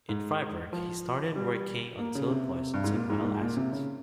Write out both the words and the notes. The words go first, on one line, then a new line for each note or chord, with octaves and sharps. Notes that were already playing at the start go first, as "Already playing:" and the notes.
In Freiburg he started working on toad poisons and bile acids.
G#2
F3
G3
A#3
C#3
C3
G2
G#2
A#2
G#2
A#2
G#2
A#2
C3
C#3